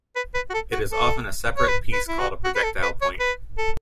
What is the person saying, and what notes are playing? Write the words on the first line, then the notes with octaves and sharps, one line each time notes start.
It is often a separate piece called a projectile point.
B4
B4
F#4
A4
F#4
A4
C#5
B4
B4
E4
F#4
F#4
B4
A4
B4
C#5
B4
A4